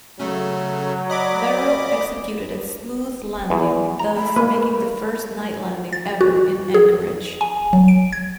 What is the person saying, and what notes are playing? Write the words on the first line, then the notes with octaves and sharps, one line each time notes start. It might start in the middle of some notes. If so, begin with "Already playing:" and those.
Merrill executed a smooth landing, thus making the first night landing ever in Anchorage.
C#3 F#3 A3
D5 D#5 B5 D6
E2
A#5
A3 B5
A#3 B4
A6
F#4
G#4
G#5
F#3
D7
G#6